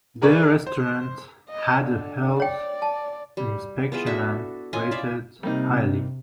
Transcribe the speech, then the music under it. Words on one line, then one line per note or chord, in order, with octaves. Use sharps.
The restaurant had a health inspection and rated highly.
G#4 A#4 B4 D5 C#6
C5
D#5
D3
C#5 D5 G5
A5
G3
B3 E4 F4 G#4
D4 F#4 A4 E5
C#4 F4 D#5 G#5
E4 D5 E5 F5
C3 G3 A#3 D#4